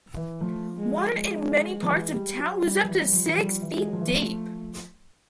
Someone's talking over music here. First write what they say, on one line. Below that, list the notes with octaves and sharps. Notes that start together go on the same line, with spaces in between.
Water in many parts of town was up to six feet deep.
E3
F3 A3
G#3
G#3
F3
E3
G3
F#3
G3
F3
E3
G3
F3
E3
F3 G3
E3
G#3
F#3
F3
E3
F3 A3